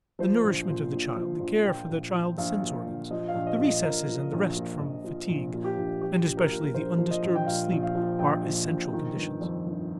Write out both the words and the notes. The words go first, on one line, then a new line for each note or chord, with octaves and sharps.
The nourishment of the child, the care for the child's sense organs, the recesses and the rest from fatigue, and especially the undisturbed sleep are essential conditions.
F3 C5
A#1
A#2
A#1
F3
A#1
A#2 G5
A#1
F3
A#1 F5
A#2
A#1
F3 D#5
F5
A#1
D#5
A#2
D#5
A#1 A#4
F3
A#1
A#2
A#1
F3
A#1
A#2
G4
A#1
F3 G4
A#1
A#4
A#2
A#1 C5
F3
D#5
A#1
G5
A#2 F5
A#1
F5
F3
A#1 G5
A#2
A#1
D#3
G1
F2
G1